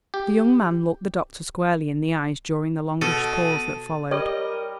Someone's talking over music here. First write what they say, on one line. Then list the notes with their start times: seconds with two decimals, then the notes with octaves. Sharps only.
The young man looked the doctor squarely in the eyes during the longish pause that followed.
0.14 G4
3.01 B2 A4 D#7
4.11 G3 A#4 C#5 D#5